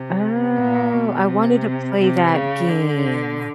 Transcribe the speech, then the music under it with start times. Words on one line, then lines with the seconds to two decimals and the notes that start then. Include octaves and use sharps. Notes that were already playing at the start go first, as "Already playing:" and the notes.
Oh, I wanted to play that game.
Already playing: C3
0.57 A#2
0.93 B2
1.28 C3
1.99 C3
2.34 C#3
2.69 D3